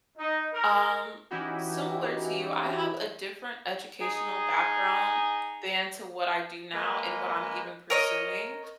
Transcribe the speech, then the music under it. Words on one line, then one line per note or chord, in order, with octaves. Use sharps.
Um, similar to you, I have a different educational background than to what I do now and what I'm even pursuing.
D#4
A#4
E3 C#4 D#4 E4 F#4 G4
D#4 G#4
G#3 A#3 A#4 B4 D#5
A#4 C#5 D#5